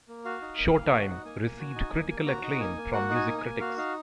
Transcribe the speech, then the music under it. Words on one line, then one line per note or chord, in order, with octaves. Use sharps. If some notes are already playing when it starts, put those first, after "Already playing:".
"Showtime" received critical acclaim from music critics.
A#3
F#4 F5
D#4
A#3
A#3
F#4 F#5
D#4
A#3 G#5
A#3
F#4
D#4
A#3
A#3
F#4 A#5
D#4
A#3 G#5
A#3
F#4 F#5
D#4
G#5
A#3
G#5
A#3
F#4 F5
D#4 F5